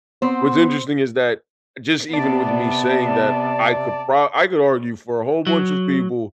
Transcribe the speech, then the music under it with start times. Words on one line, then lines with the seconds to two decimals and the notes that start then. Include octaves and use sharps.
what's interesting is that just even with me saying that I could pro I could argue for a whole bunch of people
0.22 B3 C4 C5
2.13 C3 B3 D5 A5
5.47 F#3